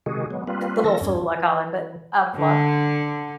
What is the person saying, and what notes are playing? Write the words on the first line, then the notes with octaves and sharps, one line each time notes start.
the little fool I call him, but out of love.
C3 D#3 G#3 F#4 G#4
F#3 G#3 B3
G3 A#3 C4 F4 B4
D#3 F3 A#3 A4 A#6
E2 G2 C#4
E3
D3